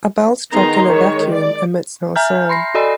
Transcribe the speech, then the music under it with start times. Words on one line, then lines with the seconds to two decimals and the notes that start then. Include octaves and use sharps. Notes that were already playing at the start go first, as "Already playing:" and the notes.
A bell struck in a vacuum emits no sound.
0.53 D#3 B3 D#4 G#4 A#5 C6
0.85 D#3 G#3 C#5
1.31 D5
2.16 E5 G#5 A#5 F6 G6
2.49 B5 C6 A#6 C7
2.75 F#4 A4 D5 D#5 G#5 B5